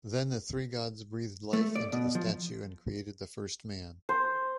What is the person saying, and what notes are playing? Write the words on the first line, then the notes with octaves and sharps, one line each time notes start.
Then the three Gods breathed life into the statue and created the first man.
A3
D5
B2
F3
C5